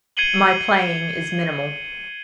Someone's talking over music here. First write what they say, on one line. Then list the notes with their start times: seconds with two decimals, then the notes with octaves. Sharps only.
My playing is minimal.
0.17 G#6 C7 C#7 D#7 F#7 G7